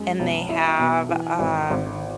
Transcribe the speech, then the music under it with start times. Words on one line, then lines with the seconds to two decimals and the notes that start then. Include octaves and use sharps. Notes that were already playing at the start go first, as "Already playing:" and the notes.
And they have, um
Already playing: F#2 G#3
0.20 B1
0.49 E4
0.79 B2
1.09 E3
1.39 G#1
1.70 G#1